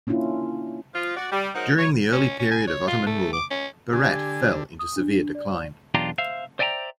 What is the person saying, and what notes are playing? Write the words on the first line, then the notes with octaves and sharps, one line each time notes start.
During the early period of Ottoman rule, Berat fell into severe decline.
A#3 C#4 D4 E4 F4
F3 F4
F#4 D5
G3
F#3 G#3 D#4 A#4 C5 F#5
C#5
C#4
C#4
G#5
C#5
F4
A3
D6
C#4
D3 G4 G#5
D#6
D4
D5
B1 E2 D4 F4 G4 A#5
C5 E5 F5
C5 D5 E5 G5 G#5 A#5